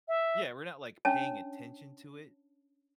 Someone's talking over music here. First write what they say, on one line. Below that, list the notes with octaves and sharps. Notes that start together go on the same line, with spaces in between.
Yeah, we're not, like, paying attention to it
E5
C#4 D4 C#5 A5